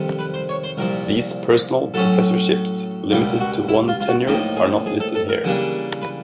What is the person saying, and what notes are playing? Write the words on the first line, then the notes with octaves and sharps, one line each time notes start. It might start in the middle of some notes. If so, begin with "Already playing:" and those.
These "personal" professorships limited to one tenure are not listed here.
Already playing: F2 C3 D#3 G3
B4
C5
C#5
C5
C2 A#2 F3 A#4
A2 F#3 A3 C#4 A4
C#2 B2 G3 A#3 G4
F#4
E4
F4
F4
F#4
A2 F3 A#3 D#4 G4
G#4
G#4
A4
A4
A#4
C#3 E3 G3 A#3 D4
B4